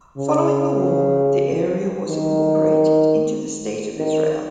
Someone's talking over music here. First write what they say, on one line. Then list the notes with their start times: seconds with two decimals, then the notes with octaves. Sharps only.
Following the war, the area was incorporated into the State of Israel.
0.18 C#3
2.07 D#3
3.97 D#3